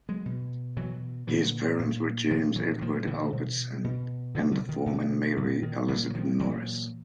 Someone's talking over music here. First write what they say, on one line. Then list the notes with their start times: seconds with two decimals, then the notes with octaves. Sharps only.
His parents were James Edward Albertson and the former Mary Elizabeth Norris.
0.09 F#3 G#3
0.26 B2
0.77 B2 E3 F#3
1.27 A#2 D3 E3
1.80 A#2
2.30 A#2 D#3 F3
2.56 E3 F#3
2.81 A#2 D#3 F3
3.07 D3 E3
3.33 B2
3.84 B2
4.35 B2 D3 E3
4.52 D3
4.69 D#3
4.86 B2 D3
5.37 A#2 D3
5.63 D#3
5.88 A#2 D3 E3
6.10 F#3
6.14 D#3 F3
6.40 A#2 E3 F#3